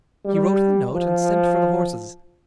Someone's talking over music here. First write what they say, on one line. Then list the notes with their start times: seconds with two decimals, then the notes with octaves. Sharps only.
He wrote the note, and sent for the horses.
0.25 G3
0.93 F3